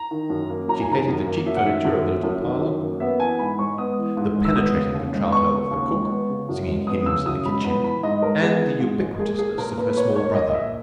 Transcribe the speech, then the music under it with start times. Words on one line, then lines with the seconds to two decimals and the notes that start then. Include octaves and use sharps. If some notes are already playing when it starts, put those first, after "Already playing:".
She hated the cheap furniture of the little parlour, the penetrating contralto of the cook singing hymns in the kitchen, and the ubiquitousness of her small brother.
Already playing: A#5
0.11 D#3
0.30 F#2
0.50 A#3
0.68 F#2 A#5
0.80 G#5
0.88 D#3 A#5
1.08 F#2
1.27 A#3
1.46 F#2 E5
1.56 F#5
1.65 D#3 E5
1.85 F#2
2.04 A#3
2.23 F#2
2.43 D#3
2.62 F#2
2.81 A#3
3.00 B3 E5
3.20 E3 G#5
3.39 G#2 B5
3.59 G#3 C#6
3.78 B3 D#6
3.97 E3
4.17 G#2
4.36 G#3
4.45 E6
4.56 B3 D#6
4.75 C#3
4.94 D#2
5.14 G#3
5.32 B3 C#6
5.52 C#3
5.71 D#2
5.91 G#3
6.10 B3
6.29 C#3
6.49 F#2
6.68 G#3
6.87 B3 D#6
7.06 C#3 E6
7.26 F#2 D#6
7.45 G#3 B5
7.64 B3 B5
7.83 E3 B5
8.03 G#2 D#5
8.22 G#3 A#4
8.42 B3 G#4
8.61 E3
8.80 G#2
9.00 G#3
9.20 A#3 G#4
9.39 A#3 G#4
9.58 A#2 A#4
9.77 A#2 B4
9.89 B4
9.97 A#3 C#5
10.15 A#3 C#5
10.35 A#2 D#5
10.54 A#2 E5